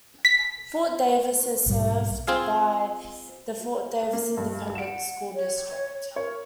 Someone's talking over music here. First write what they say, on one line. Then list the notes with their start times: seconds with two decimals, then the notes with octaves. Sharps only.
Fort Davis is served by the Fort Davis Independent School District.
0.25 B6
1.66 B1 G#2 G3
2.27 C4 F4 G#4 F5
4.13 A#3
4.37 G2
4.75 F#5 D7 E7
5.35 C#5
6.16 A#4 C#5